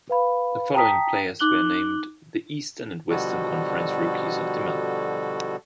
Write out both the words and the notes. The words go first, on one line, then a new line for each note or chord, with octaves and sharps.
The following players were named the Eastern and Western Conference Rookies of the Month.
B4 F5 B5
G5 A5 A#5 D#6 B6
D#4 D6 F#6 F#7 G7
B2 D3 F3 G3 F#4 A4